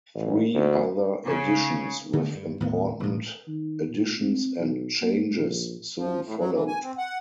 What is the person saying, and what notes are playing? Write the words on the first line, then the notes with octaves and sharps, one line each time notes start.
Three other editions, with important additions and changes, soon followed.
A1
D2
C#3
D3 A3
G2
D#2 A2 B3
E1 A2
D#3
A#2
C4
B1
A#3
A#1
F3
A2
F#3
E3
G#5
C4
F#5